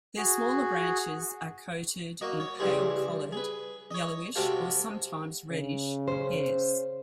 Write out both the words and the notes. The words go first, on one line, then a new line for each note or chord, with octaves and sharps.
Their smaller branches are coated in pale-colored, yellowish, or sometimes reddish hairs.
F#4 G#4
A#3 F#4 D#5
C#5
A1 C#3 E3 G3 G#4 C5
G#4 B4
C#5 D#5
C3 G#3 F#4 A4 F5 G5
C#3
C#4 C5